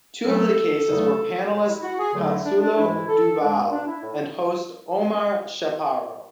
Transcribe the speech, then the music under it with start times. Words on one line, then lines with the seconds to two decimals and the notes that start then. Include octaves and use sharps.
Two of the cases were panelist Consuelo Duval and host Omar Chaparro.
0.25 A2 F#3 A3 A4
0.89 E2 C#3 F#3 A3
1.51 A2 G#3
1.68 E4
1.82 F#4
1.99 G#4
2.14 E2 D3 F#3 A3
2.30 E4
2.45 D4
2.62 D4
2.77 G#2 E3 G#3 E4
3.09 A4
3.40 G#2 G#3 D4
3.56 D4
3.72 D4
3.88 E4
4.03 A2